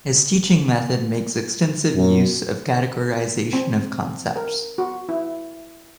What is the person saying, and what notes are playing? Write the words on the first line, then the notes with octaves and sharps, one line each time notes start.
His teaching method makes extensive use of categorization of concepts.
F#2
C4
A#4
F#4
E4